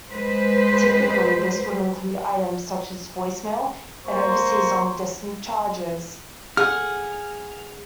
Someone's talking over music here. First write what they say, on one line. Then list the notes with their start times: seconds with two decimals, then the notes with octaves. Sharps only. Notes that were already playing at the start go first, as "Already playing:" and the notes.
Typically this would include items such as voice mail and overseas long distance charges.
0.11 G#3 B4 C5
4.05 A#3 C5 C6 C#6
6.57 G#4 F#5 F6